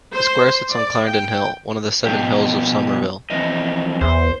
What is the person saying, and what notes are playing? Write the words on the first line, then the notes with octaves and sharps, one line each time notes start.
The square sits on Clarendon Hill, one of the seven hills of Somerville.
C5
D5
G5
B2 F3 G4
F2 E3 D#5
E2 C5